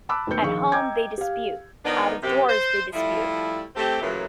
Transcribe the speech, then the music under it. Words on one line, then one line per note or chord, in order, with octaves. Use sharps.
At home they dispute, out of doors they dispute.
A5 B5 D6 E6 F#6
D#2 B2 A3 B4 G6 C#7
A#1 D#3 G#4 F5 C#6 C#7
D#5 G5 A#5 D6 G6 G#6
G4 F5
D#3 F3 B3 D4 D#4
F#2 C3 G4
C5
F3 G3 A3 E4
A3 C4 G4
F#2 A#2 C#3 E3 F#3 A3